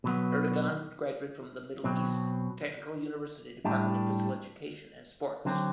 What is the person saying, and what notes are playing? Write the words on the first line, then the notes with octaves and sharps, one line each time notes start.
Erdogan graduated from Middle East Technical University Department of Physical Education and Sports.
B2 F#3 B3
B2 F#3 C4
A2 G3 D4
D3 F#3 C4